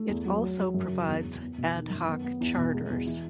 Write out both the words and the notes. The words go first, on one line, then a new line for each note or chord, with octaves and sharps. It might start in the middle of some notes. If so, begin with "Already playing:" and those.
It also provides ad-hoc charters.
Already playing: A3
E2
F#3
F#3
F#3
F#2
C#3
E2
E2
B3
B2
D#3
F#2
B3
B3
E2
B2
G#3
E2
E3